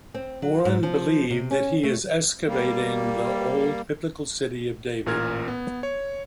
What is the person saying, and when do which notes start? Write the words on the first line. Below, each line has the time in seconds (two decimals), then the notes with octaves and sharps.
Warren believed that he is excavating the old biblical city of David.
0.14 C4
0.42 F#3
0.65 G#2
0.83 F3
1.31 C3
1.51 C#4
1.83 A3
2.47 G3 A#3
5.06 A1 A#2 A#4 F6 G#6
5.48 B3
5.83 C#5